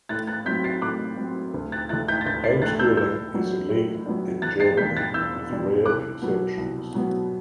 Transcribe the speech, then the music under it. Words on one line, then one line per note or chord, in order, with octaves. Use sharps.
Homeschooling is illegal in Germany, with rare exceptions.
A2 F#6 A6
F#6 A6
F#3 C4 G6 B6
A6 C7
A2 D6 F#6
F#3 C4
D2
F#6 A6
D3 A3 E4 F#6 A6
G6 B6
A6
D2 G6 B6
A6 C7
D3 A3 E4 F#6 A6
E6 G6
A2 E6 G6
F#3 B3 D4
A2
F#3 B3 D4
E2 F#6 A6
A6 C7
B2 G3 D4 G6 B6
F#6 A6
E2 E6 G6
B2 G3 D4
C2 D6 F#6
B2 F#3 B3
C2
B2 F#3 B3